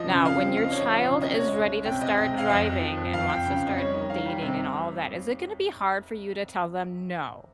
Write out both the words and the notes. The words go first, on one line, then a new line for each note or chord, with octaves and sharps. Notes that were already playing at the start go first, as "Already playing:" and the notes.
Now, when your child is ready to start driving and wants to start dating and all that, is it gonna be hard for you to tell them "no?"
Already playing: F3 D#5
C#3
C4 F5
C4
D#2 F5
D#5
F3 C#5
D#5
F3 F5
C#3
C3 D#5
G#3 C#5
D#5
C2
G#3
C3 G5
C3 D#5
C3 D#5
C3 F5
F2 D#5
F2
F3
F2
F2 F5
F2 G5
C#3 G5
F5
F2
D#5
G3 C#5
D#3 D#5
D#3 F5
G3
C3